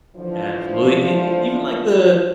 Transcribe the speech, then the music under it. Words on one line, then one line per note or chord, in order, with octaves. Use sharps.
Absolutely, e e even like the
D3 E3 F3